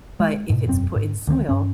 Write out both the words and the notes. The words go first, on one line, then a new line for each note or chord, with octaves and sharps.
but if it's put in soil,
G#3
G#2 B2
E1 F#2 C4
G#2
D2 D#3 A#3 C4
G2 C#4